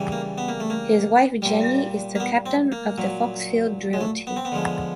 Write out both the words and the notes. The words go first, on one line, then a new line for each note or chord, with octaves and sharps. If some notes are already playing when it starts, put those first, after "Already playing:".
His wife Jenny is the captain of the Foxfield Drill team.
Already playing: C#3 E3 G3
A#3
B3
A#3
A3
A#3
A#2 G3
A#3
B3
C4
A#3
A#2 F#3
G#3
A3
B3
C4
B3
D3 F3 G#3